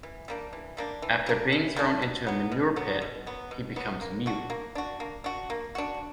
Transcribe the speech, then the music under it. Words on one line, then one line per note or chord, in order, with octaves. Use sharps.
After being thrown into a manure pit, he becomes mute.
E3
G3 A#3 D4
E3
G3 A#3 D4
E3
G3 A#3 D4
E3
G3 A#3 D4
B2
F#3 B3
B2
F#3 B3
B2
F#3 B3
B2
F#3 B3
A#3
D4 F#4
A#3
D4 F#4
A#3
D4 F#4
A#3
D4 F#4